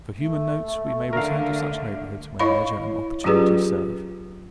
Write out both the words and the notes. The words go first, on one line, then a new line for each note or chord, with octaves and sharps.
For human notes we may return to such neighbourhoods when leisure and opportunity serve.
A3
D3 A#4 F5
E4 C#5 D#5 F5 B5
F#3 C#4 F4 G4 G#4 B4